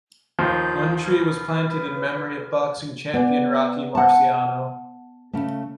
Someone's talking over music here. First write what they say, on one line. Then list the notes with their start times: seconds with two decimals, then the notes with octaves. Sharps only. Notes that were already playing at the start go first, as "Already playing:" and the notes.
One tree was planted in memory of boxing champion Rocky Marciano.
0.39 D#2 F3 F4 C6 G6
1.05 B4 F6
3.14 B3 D5 G#5
3.95 F#5 A5
5.33 C#3 A3